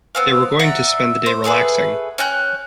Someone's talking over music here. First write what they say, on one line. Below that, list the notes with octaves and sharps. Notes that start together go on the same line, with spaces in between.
They were going to spend the day relaxing.
B3 C4 F5
D5 E5 F#5 A#5
C5
A3 B3 G#4 B4
C#4 G5 F#6 G6